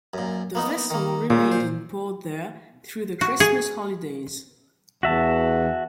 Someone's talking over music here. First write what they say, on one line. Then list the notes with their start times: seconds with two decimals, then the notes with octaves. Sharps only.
The vessel remained in port there through the Christmas holidays.
0.14 F#2 A#2
0.55 A#3 B3 D#4
0.90 D#3 A#3
1.30 A#2 C#3
1.52 C5
3.21 F#4
3.40 G#4
5.03 E2 F#4 E5 A5